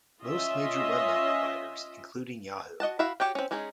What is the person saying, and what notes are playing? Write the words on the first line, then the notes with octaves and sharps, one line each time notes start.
Most major webmail providers, including Yahoo!
C#4 F4 D#5 E5
F#4 D#5 F#5 A5
E4 F#4 E5 F5
F#4 G4 C#5 G5
C4 C#4
G#3 C#4 D#4 G#4